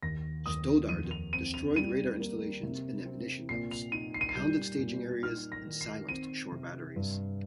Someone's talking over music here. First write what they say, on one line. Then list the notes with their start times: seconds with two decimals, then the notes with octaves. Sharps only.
"Stoddard" destroyed radar installations and ammunition dumps, pounded staging areas, and silenced shore batteries.
0.03 D#2 A#6
0.46 D#2 D#6
0.89 F2 D#7
1.11 F7
1.33 C4 D#7
1.54 F7
1.76 G3 D#7
2.20 A#3
2.63 C3
3.06 C4
3.49 A#2 C7
3.71 F7
3.92 D#4 D#7
4.14 C7
4.21 D#7
4.29 C7
4.35 G3 G6
4.79 A#2
5.22 D#4 F6
5.52 A#6
5.66 D#3
5.81 C7
6.09 C4 D#7
6.52 C3
6.96 G2